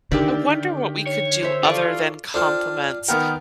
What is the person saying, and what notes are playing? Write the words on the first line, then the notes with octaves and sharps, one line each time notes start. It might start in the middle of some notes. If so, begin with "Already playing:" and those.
I wonder what we could do other than compliments,
D3 D#3 G4 D5 E5
C#5
C5 E5
F4 A4 D5 C#6
D4 F4 A4 C5 G5
D#3 B3 A#4 G5